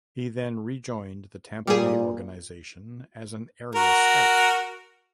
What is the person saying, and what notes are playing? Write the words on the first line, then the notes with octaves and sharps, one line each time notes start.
He then rejoined the Tampa Bay organization as an area scout.
A#2 G3 G#4
F#4 A#4